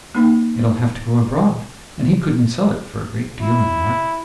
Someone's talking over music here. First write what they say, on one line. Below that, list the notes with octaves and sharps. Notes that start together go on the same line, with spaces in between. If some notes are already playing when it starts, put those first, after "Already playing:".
It'll have to go abroad, and he couldn't sell it for a great deal in the market.'
A#3 D#4
E4